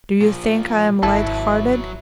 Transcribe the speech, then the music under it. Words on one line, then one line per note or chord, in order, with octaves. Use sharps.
Do you think I'm light-hearted?
A#2 F3
G#1 F#3 E4 A4 B4